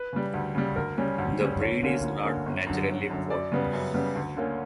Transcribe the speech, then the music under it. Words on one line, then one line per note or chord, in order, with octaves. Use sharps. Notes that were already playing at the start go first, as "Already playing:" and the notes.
The breed is not naturally polled.
Already playing: B4
C#3 G3
D2
C#3 G3
D2 A#4
C#3 G3 C#4
D2
C#3 G3 C#4
D2 C#5
D3 A#3 C#4
D2
D3 A#3 C#4
G1
F#2 D3
G1
F#2 D3
F#2 D5
C#3 G3 B3
F#2
C#3 G3 B3
D2
D3 A#3 C#4